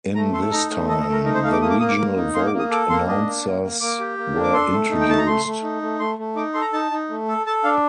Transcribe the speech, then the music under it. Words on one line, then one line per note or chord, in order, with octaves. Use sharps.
In this time, the regional vote announcers were introduced.
A3 A#5
A4 C6
D#4 A#5
A3
A4 D#5
D#5
A3
A#4
D#4 A#4
C5
A3 F5
D6
A#3 D#6
D6
A#3 D#6
D6
A#3
D#4
A#3 C6
D6
A#3
D#6
A4 D6
A#3 C6
D4 D#5
A#3
A#3
A#3
A#3 D6
G4
A#3
D4
D6
A4 C6
A3
D#4
G5
A3 A5
A#5
A3 C6
A3
D#4
A3
A3 C6
A3
D#4 D6
A4 C6
A#5
D#4 A5
D#4
A3
A4
A4 A5
D4 F5